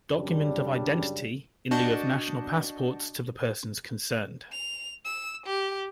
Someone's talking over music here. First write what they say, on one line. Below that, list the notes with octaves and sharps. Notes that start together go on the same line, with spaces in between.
Document of Identity, in lieu of national passports to the persons concerned.
F#2 C#3 G3 D4
D4 F#4 D#5 A5 G6 C#7
F7
E6
G4